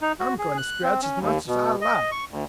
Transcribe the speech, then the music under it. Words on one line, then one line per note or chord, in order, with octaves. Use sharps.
"I'm going to scratch as much as I like!"
D#4
F#4
G#4
F#6
C4
C#4
D#2
B2
D#5
C#6
D2